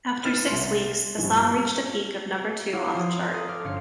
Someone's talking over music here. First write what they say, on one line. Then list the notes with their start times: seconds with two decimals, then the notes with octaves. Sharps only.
After six weeks, the song reached a peak of number two on the chart.
0.24 D#4 B4 F6 A6 E7
0.48 C2 C6
1.19 A#1 G2
2.73 E4 C#5 F5 F#5 D6
2.94 F3 C6 C#6 D#6
3.18 C4 A#4
3.32 A4 C6 D#6
3.48 A4 F5 D6 F6
3.64 G1 C#4 F5 C6 C#7